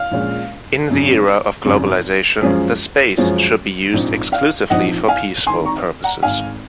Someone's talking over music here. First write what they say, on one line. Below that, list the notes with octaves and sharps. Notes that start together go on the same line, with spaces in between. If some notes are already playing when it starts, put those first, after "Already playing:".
In the era of globalization the space should be used exclusively for peaceful purposes.
Already playing: F5
A#1 A#2 G#3 C#4 F4
G#1 F#2 C#3
G#1 F#2 C#3
F#2 F3 G#3 C#4 F4
F#2 F3 G#3 C#4 F4
A#1 G#2 F3 C4 D#4
F5
A#1 G#2 F3 C4 D#4 D#5 F#5
F5 G#5
G#1 G#2 D#3 G#5 C6
A#5 C#6
F#5 A#5
G#1 G#2 D#3 F5 G#5